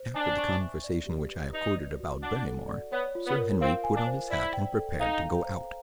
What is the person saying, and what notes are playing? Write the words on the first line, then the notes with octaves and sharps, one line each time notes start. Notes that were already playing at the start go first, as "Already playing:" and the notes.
After the conversation which I have quoted about Barrymore, Sir Henry put on his hat and prepared to go out.
Already playing: C5
D4 G#5
C#6
E5
D5
G4
B4
D#4 B4
D5
F#4
D4 F#5
A4
D5
B3 C#5
F4
B3
A#4
C4 F5
G#5
D4
C5
E4 D5
G5
A4
D#4 F5
A#5
C5